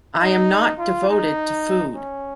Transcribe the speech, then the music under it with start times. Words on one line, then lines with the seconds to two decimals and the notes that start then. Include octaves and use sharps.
I am not devoted to food!
0.21 D#4
0.79 F4
1.09 D#4
1.95 C#4